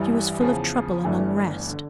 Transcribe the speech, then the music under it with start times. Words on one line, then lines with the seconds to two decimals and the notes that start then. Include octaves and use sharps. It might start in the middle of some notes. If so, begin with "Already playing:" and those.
She was full of trouble and unrest.
Already playing: A1 G2 E3 G3
0.41 E2 C#3 F3
1.04 G1 G2 E3 A3 D4
1.69 D3